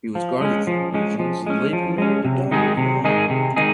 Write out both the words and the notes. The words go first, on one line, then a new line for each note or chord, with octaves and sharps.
He was guarded from the Persians, and later married a daughter of Milon.
F3
G#3 C#4
F3
G#3 C#4
F3
G#3 C#4
F3
G#3 C#4
C3
D#3 G#3 D#4 G#4
C3
D#3 G#3 D#4 G#4
C3
D#3 G#3 D#4 G#4